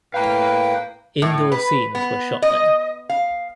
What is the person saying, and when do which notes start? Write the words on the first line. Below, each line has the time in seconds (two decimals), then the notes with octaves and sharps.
Indoor scenes were shot there.
0.14 A2 B4 F5 G5 A#5
1.22 A2
1.52 B4
1.95 B3
2.42 D#5
3.09 F5